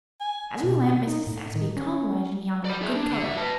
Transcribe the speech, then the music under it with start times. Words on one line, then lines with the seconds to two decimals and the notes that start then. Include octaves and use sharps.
As we went Mrs. Saxby complimented me on my good colour.
0.21 G#5
0.64 B2
1.07 D#4
1.27 A2
1.55 D#3
1.77 C#4
2.65 D5 B5
2.82 G#4 E5
2.95 D4
3.11 D3
3.24 D2 E5
3.37 B4 A5